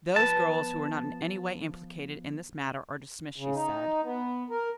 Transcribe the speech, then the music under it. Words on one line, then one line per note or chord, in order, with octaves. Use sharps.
"Those girls who are not in any way implicated in this matter are dismissed," she said.
F3 B3 B4 A5
C#3
D#4
B3
A#4